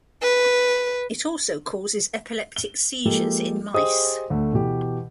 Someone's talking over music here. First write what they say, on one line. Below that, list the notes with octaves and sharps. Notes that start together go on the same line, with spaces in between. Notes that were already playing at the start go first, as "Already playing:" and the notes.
It also causes epileptic seizures in mice.
B4
G7
F3 G#3 A#3 G4 A4
G4 G#4 C5 D#5 D#6
D2 A3
B2 E3 G4